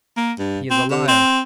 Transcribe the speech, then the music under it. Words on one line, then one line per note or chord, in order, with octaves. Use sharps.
He is a liar.
A#3
G2
C4
C3
C4